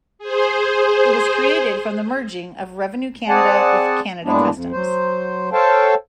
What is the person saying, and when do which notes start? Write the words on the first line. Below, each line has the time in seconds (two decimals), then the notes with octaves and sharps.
It was created from the merging of Revenue Canada with Canada Customs.
0.19 G#4 C5
3.29 C4 G#4 D5 F#5 G#5 A5
4.24 G2 A#2 G#3 B3 D4 E4
4.51 F2
4.72 F#3 C5
5.52 A4 C5 C#5 F5 G5 A5